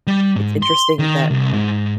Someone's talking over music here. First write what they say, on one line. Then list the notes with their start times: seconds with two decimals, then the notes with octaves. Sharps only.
it's interesting that
0.07 G3
0.36 G#2
0.62 C6
0.99 D#3
1.31 C2
1.53 G#2